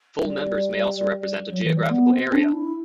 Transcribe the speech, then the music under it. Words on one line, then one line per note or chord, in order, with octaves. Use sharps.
Full Members may also represent a geographical area.
G3
F#3
E3
G3
B3
C4
D4
E4